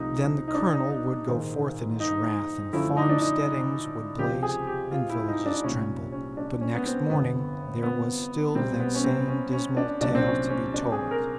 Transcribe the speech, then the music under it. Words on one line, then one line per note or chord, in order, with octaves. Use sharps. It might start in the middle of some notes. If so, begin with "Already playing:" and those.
Then the colonel would go forth in his wrath, and farmsteadings would blaze and villages tremble; but next morning there was still that same dismal tale to be told.
Already playing: C2 C3 F3 A3 D#4
D#4
D4
D#4
D#4
A#1 G#2 D#3
D#4
F#2 D3 F3 A3 E4
D#4
D4
D#4
C#2 C3 F3 G4
G#4
G4
F4
E4
D#4
D4
C2 A#2 G3 C#4
C#4
D4
C#4
B3
C4
G1 F2 D3 B3
B3
B1 B2 G3 C4
B3
C#4
C4
C#4
C#4
D4
C2 A#2 F#3 D4
C4
C#4
C#4
D4
G#4
A#4